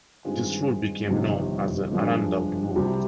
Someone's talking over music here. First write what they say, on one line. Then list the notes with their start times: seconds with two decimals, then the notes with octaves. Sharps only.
This route became known as "the Annandale Route".
0.24 G2 D#3 G#3 C4 F4
1.08 G1 F2 C3 D#3
1.92 G2 F3 G#3 D4
2.76 C2 C3 G3